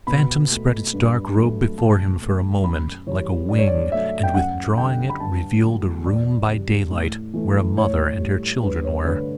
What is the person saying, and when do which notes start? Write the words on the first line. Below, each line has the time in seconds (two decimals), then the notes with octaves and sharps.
The Phantom spread its dark robe before him for a moment, like a wing; and withdrawing it, revealed a room by daylight, where a mother and her children were.
0.07 B2 B5
0.50 A3
0.93 G2
1.36 F#3 A3
1.78 B2 A5
2.21 A3
2.64 F#2 B5
3.07 E3 G3 C#5
3.49 G2 D5
3.58 C#5
3.68 D5
3.92 F#3 A3 E5
4.23 G5
4.35 F#2 F#5
4.78 D3 G3 G5
5.09 B5
5.20 G2 A5
5.63 D3 F#3 A3
6.06 E2 D5
6.48 C#3 G3
6.91 A2
7.34 E3 A3
7.77 A2 C#5
8.19 G3
8.62 G2 B4
8.84 C#5
9.05 D3 A3 B4